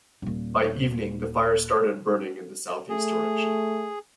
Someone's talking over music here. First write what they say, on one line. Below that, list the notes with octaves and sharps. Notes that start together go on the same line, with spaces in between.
By evening, the fire started burning in a southeast direction.
D#1 A#2
A3 G#4